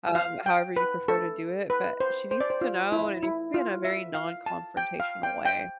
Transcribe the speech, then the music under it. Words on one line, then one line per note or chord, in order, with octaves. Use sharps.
um, however you prefer to do it, but she needs to know, and it needs to be in a very non-confrontational way.
F5
G5
B4
A4
B4
C5
C5
D5
C5
F4
E4
E4
F4
E5
F5
A5
G5
F5
G5
G5